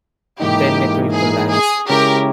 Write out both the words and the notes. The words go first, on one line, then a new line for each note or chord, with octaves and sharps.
Then it will collapse.
G#2 E3 A#3 D#4 G4
G#4
G#4
C#3 G#3 C#4 E4 G4 A#4